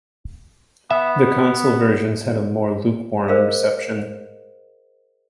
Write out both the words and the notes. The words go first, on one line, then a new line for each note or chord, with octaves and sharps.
The console versions had a more lukewarm reception.
B3 E5
G#4 A#4 C5 D5 D#5 F5